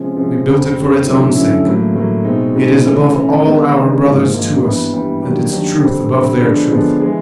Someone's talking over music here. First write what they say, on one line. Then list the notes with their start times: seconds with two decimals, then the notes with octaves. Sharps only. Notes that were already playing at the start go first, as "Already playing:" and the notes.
We built it for its own sake. It is above all our brothers to us, and its truth above their truth.
Already playing: C3 F3 G#3 C#4
0.17 C3 F3 G#3 C#4
0.47 F2 D3 G3 C4
0.76 F2 D3 G3 C4
1.06 D3 F#3 A3 C#4 E4
1.36 D3 F#3 A3 C#4 E4
1.66 A2 F#3 A#3
1.95 A2 F#3 A#3
2.24 B2 G#3 C4 D#4
2.55 B2 G#3 C4 D#4
2.85 E3 A3 C#4
3.14 E3 A3 C#4
3.45 D#3 G#3 B3 D4
3.74 D#3 G#3 B3 D4
4.04 G#2 F3 A#3 D#4
4.34 G#2 F3 A#3 D#4
4.63 G2 E3 G3 B3
4.93 G2 E3 G3 B3
5.22 D#3 F#3 A#3 D4 G4
5.52 D#3 F#3 A#3 D4 G4
5.82 D3 G3 C4
6.13 D3 G3 C4
6.42 D3 F3 G#3 B3 D4
6.71 D3 F3 G#3 B3 D4
7.01 E3 G#3